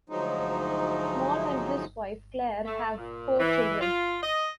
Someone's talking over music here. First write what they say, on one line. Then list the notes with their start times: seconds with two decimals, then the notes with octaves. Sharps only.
Small and his wife Clare have four children.
0.10 D2 F3 F#3 G#3 D#4
2.65 A3
2.98 A#2
3.39 E3
3.81 F4
4.22 D#5